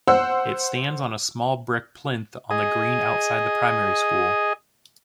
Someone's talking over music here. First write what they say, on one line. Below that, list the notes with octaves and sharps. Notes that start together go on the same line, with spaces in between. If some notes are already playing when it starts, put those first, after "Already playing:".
It stands on a small brick plinth on the green outside the primary school.
C5 F#5 E6
G#4 D#5